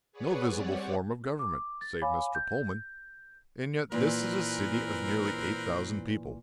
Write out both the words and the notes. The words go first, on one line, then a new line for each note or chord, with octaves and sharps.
No visible form of government, save Mr. Pullman, and yet this is a city of nearly eight thousand people.
G#4 B4 C#5 D5 F#5 G#5
G3 C4 C#5 D5 F#5
D6
A6
C#5 F5 G#5 B5 D6
G6
A#2 E3 C4 A#4 B4